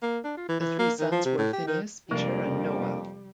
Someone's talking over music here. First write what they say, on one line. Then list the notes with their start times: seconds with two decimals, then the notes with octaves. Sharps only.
The three sons were Phineas, Peter and Noah.
0.03 A#3
0.25 D4
0.37 F4
0.49 E3
0.61 E3
0.79 A#3
0.99 D#3
1.12 F3
1.25 C3
1.38 A2
1.54 G4
1.67 D#3
2.11 F2 C3 F3 G3 G#3 A#3 D4